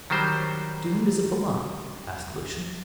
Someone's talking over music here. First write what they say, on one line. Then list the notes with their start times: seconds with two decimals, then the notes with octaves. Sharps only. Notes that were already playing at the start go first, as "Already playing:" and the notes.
"To whom does it belong?" asked Lucian.
0.10 D#3 F#3 G3 C5